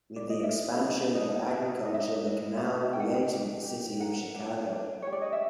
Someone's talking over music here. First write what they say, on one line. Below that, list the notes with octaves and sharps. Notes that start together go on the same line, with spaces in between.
With the expansion of agriculture, the canal created the city of Chicago.
D5
D#5
D#4 E5
F#4
A4 D#5
D#4 E5
D#4 D#5
E5
D#5
F#4
A4 E5
D#4 G5
F#5
G5
D4
G4
A#4 F#5
D4
D4
G4 C#5
D5
D#5
E5